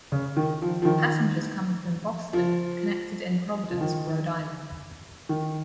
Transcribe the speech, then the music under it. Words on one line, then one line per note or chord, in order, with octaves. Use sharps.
Passengers coming from Boston connected in Providence, Rhode Island.
C#3
D#3
F3
F3
D#3
F3
F3
D#3
D#3